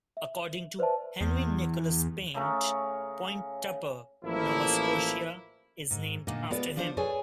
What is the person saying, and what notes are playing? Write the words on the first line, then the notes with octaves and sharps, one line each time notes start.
According to Henry Nicholas Paint, Point Tupper, Nova Scotia is named after him.
E5
B4 C5 D5 E5 A5
E2
C#3 A3 A#4
A1 F3 A#3 E4
G#2
A#2 D3 A#3 D#4
G#3 B3 F4 B4 D5
F3 D4 F4 G4 C5 D5
G#4 A4 B4 C#5 D5 G#5